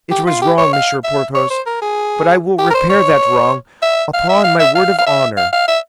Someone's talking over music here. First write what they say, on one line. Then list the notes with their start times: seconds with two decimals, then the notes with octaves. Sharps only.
"It was wrong, Monsieur Porthos; but I will repair that wrong, upon my word of honor."
0.11 G4
0.27 F4
0.42 G4
0.58 C#5
0.73 F5
1.04 E5
1.35 C#5
1.50 C5
1.66 A#4
1.82 G#4
2.58 G4
2.70 A#4
2.74 C5
2.90 C#5
3.82 E5
4.14 F5
4.29 E5
4.44 F5
4.60 E5
4.75 F5
4.98 F5
5.06 E5
5.37 F5
5.53 F5
5.68 E5